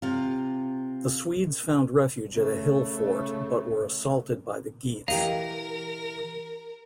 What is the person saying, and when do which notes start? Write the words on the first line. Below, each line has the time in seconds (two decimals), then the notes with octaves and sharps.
The Swedes found refuge at a hill fort but were assaulted by the Geats.
0.02 C3 F4
2.33 C#3 A3
5.08 E3 G4 A#4 D#5 F5 A#5